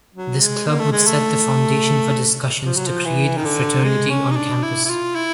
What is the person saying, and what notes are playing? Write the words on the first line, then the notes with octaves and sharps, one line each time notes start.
This club would set the foundation for discussions to create a fraternity on campus.
F#3
G#3
A#3
A3
G#3
A3
F3
F#3
F3
E3
D#3
D3
G#3
C#4
D#4
D4
E4
E4
F4
E4